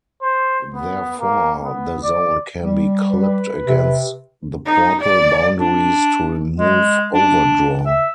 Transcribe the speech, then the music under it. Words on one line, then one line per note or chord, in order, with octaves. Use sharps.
Therefore, the zone can be clipped against the portal boundaries to remove overdraw.
C5
B3
A#3
B3
D5
G3
B4
C3
D#4
D5
D4
G#3
D4
E5